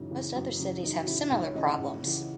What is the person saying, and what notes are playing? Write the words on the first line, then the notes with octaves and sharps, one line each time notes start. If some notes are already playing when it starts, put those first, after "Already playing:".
Most other cities have similar problems.
Already playing: F#2 C#3 E3 D#4
C#3 E3
F#2
C#3 E3
F#2 D#4
F#4
C#3 E3 E4
C#2 D#4
C#5
C#3 E3 D#5
F#5
C#2
C#3 E3